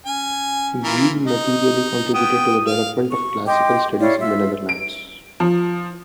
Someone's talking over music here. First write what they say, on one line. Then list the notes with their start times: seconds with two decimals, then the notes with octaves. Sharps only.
Geel materially contributed to the development of classical studies in the Netherlands.
0.06 C#4 G#5
0.84 E3 F4 A#4
1.26 D#4 D#5
2.14 B3 G5 D#6
2.66 F5
3.10 C#6
3.47 D#5 G5 C6 D6
4.00 E4 C#5 D5 F5
4.19 F4 E5 E6
4.69 D7
5.40 F3